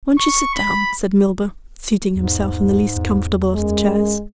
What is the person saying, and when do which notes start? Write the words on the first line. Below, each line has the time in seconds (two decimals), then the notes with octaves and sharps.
"Won't you sit down?" said Milburgh, seating himself in the least comfortable of the chairs.
0.18 C#6
0.55 B5
2.16 E2 G#2
2.96 E2
3.54 F#2 G#3